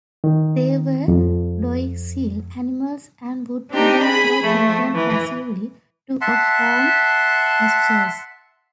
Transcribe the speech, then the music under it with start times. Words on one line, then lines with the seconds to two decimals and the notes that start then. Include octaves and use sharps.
They were docile animals and would even follow children passively to or from pastures.
0.24 D#3
1.08 F2
3.70 C4 D4 D#4 G4
4.03 G#4 B5
4.40 F3 A3
4.95 E3
6.21 E5 F#5 A5 C6